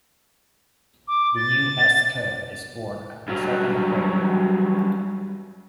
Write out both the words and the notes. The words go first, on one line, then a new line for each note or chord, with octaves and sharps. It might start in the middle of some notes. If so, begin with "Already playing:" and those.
A new S-curve is born at the second breakpoint.
D6
A6
G2 F#3